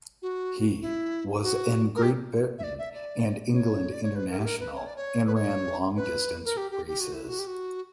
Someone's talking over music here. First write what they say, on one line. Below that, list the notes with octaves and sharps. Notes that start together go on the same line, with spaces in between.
He was an Great Britain and England international and ran long distance races.
F#4
E4
F#4
A#4
G4
E5
D5
E5
D5
C#5
D5
C#5
B4
A#4
G4
A#4
B4
C#5
D5
C#5
B4
C#5
B4
A#4
G4
G4
G4
F#4
E4
F#4
G4
F#4